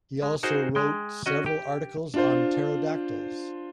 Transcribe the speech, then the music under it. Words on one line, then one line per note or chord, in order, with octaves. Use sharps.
He also wrote several articles on pterodactyls.
G#3
D#4 F#4 G#4 A#4 C5
G#3 G5
C#4 F#4 D#5
G4
D4 F4 C5